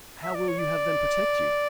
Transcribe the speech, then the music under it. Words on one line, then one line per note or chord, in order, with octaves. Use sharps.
How will you have them protect you?
E5
D5
C#5
D5